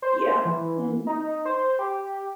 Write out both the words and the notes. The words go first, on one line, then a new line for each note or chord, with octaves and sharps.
Yeah. Mhm.
C5
E3
D#4
C5
G4